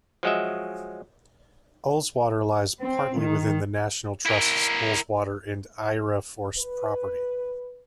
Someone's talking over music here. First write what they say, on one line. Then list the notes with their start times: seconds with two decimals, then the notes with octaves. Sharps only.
Ullswater lies partly within the National Trust's Ullswater and Aira Force property.
0.23 F3 F#3 G#3 F#4 D#5 E5
2.81 C4
3.20 D#3
4.26 E4 A#4
6.58 B4